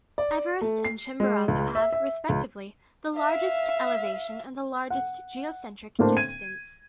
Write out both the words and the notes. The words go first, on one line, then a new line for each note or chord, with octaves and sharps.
Everest and Chimborazo have, respectively, the largest elevation and the largest geocentric distance.
D5
A3
C7
G#3
C#2
E5
E5
C#2
E5 F5
F#5
A2 A#3 C4 D4
G#6 D#7